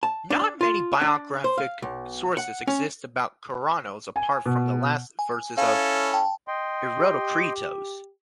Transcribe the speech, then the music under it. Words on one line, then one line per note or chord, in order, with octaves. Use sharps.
Not many biographic sources exist about Kornaros apart from the last verses of "Erotokritos".
A5
D4
F4
D4
C5
F5
B1
F#5
C#4
G#5
B2
G#5
C#4 E4 A4 F5
G5 A5
D#5 G5 C6
G4